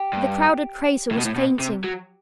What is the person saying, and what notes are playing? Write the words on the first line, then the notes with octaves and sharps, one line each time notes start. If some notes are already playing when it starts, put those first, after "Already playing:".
The crowded crater was fainting.
Already playing: G4
G2
A2
B2
A2
B2
C3
F#3